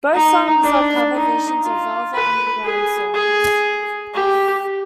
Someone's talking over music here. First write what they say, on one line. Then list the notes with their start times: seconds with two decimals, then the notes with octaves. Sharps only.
Both songs are cover versions of Velvet Underground songs.
0.14 D#4
0.63 D4
1.14 D#4
1.63 F4
2.14 B4
2.64 G#4
3.14 G#4
4.14 G4